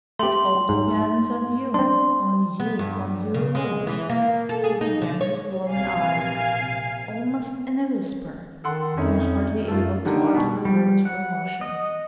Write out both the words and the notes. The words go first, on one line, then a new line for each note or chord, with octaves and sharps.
"It all depends on you, on you, on you alone," he began with glowing eyes, almost in a whisper and hardly able to utter the words for emotion.
A3 G4 C6 F#7
G#2
C4 D4 C6
B3
G2
C#3
G#3
E3
A#3
A4
G#4
D#4
D3
C#5
A#1 C3 F5 G#5 C7
D#3 A4 F#5 C6
F2 C#4 D#4 E4
F#2 A3 F4
D3 D#3 G3 D#4
B2 C#6
G3
F#5
D#5